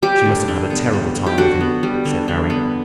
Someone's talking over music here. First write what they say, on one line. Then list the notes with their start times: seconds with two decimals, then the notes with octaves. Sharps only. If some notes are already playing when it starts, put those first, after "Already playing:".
"She must have had a terrible time with him," said Harry.
0.02 G3 G4
0.25 D3
0.48 D3
0.70 B3
0.93 G3
1.15 D3
1.26 G4
1.38 D3 F#4
1.61 B3
1.83 G3
2.05 D3
2.28 D3
2.50 B3